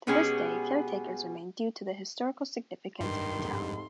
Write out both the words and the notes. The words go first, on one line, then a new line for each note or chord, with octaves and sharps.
To this day, caretakers remain due to the historical significance of the town.
B2 G#3 B3 C#4 G4 G#4
G2 D#3 C6
F1 G#2